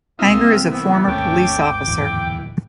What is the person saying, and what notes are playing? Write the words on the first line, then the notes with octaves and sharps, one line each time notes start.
Hanger is a former police officer.
C2 A#3 C4 D#4 F4 E5
E3 B3 E4
G#1 D#2 A3 C#4 G5 D6
D1 E2